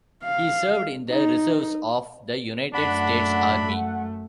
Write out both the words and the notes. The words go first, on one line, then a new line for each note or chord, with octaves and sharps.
He served in the reserves of the United States Army.
F5
D#4
F#2 A3 D4 F#5 B5